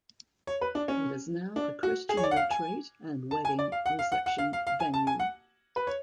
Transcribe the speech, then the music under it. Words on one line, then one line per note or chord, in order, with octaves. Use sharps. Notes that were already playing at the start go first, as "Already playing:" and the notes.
It is now a Christian retreat and wedding reception venue.
C#5
B4
D4
C#4
D4
F#4
G#4
C#5
D5
F#5
F5
G#5
A5
G#5
D5
F5
F#5
F5
F#5
F#5
F5
F5
F5
G#5
A5
G#5
F#5
B4
C#5